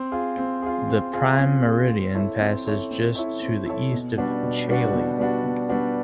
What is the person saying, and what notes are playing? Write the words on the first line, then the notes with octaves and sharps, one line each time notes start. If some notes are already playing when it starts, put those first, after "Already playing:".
The Prime Meridian passes just to the east of Chailey.
Already playing: C4
F4 G#4
C4
F4 G#4
C4
F4 G#4
C4
F4 G#4
C4
E4 A4 C#5 E5
C4
E4 A4 C#5 E5
C4
E4 A4 C#5 E5
C4
E4 A4 C#5 E5
B2
G3 B3 D4 F#4
B2
G3 B3 D4 F#4
B2
G3 B3 D4 F#4
B2
G3 B3 D4 F#4